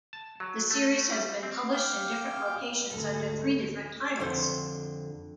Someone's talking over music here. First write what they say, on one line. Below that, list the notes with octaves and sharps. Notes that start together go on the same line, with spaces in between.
The series has been published in different locations under three different titles.
A5
F#3
A3
G3
C4
F5 G5 D6 F6 G6
D2 G#2 A4
F2 D3 C5